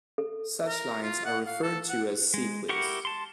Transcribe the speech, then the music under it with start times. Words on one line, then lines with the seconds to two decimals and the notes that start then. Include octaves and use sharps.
Such lines were referred to as "ceques".
0.18 A4
0.66 A#4
1.02 F4
1.26 F#5
1.47 F5
1.63 A4
1.89 F#5
2.34 G#3
2.69 E4 G4 A#4 F#5 C#6
3.05 A5 C6